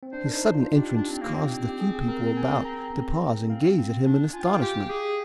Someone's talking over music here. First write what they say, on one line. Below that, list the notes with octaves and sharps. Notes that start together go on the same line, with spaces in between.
His sudden entrance caused the few people about to pause and gaze at him in astonishment.
C4
D4 C5
D4 A#4
D#4 C5
F4
D4 G4
D4
C4
A#3
C4
G4
G#4
A#4
G#5
C4 A#5
C4
C4
C4 F5
C4
D4
F4 G#5
G5
F5
G5
G4
G#4